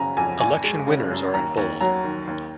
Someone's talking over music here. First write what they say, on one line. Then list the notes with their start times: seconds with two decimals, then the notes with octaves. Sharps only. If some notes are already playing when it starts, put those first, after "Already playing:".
"Election winners are in bold".
Already playing: F#1 C#3 F#3 G#5 A#5
0.17 F2 G#5
0.40 G#1 G#5
0.64 G#3
0.87 C#3
1.10 F#2
1.34 D#2 A#5
1.57 D#2
1.81 F#3 A#5
2.04 D#3
2.27 D#2